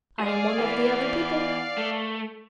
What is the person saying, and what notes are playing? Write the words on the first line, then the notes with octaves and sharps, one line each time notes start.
I am one of the other people.
G#4 D5 F5
E3 B3
A3